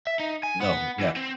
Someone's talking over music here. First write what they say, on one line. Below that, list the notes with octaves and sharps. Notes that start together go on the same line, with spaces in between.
No, yeah.
E5
D#4
G#5
B3
E3
C4